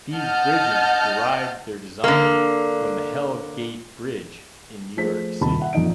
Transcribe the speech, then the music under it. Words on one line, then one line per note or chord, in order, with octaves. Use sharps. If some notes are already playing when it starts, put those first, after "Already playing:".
These bridges derived their design from the Hell Gate Bridge in New York City.
D#5 F#5 A5 F6 G6
D3 A#3
F3 A3 G#4 C5 B6
D#1 C3 D#3 A5 B5
E5 F#5
A#1 F2 A#2 D#4 D7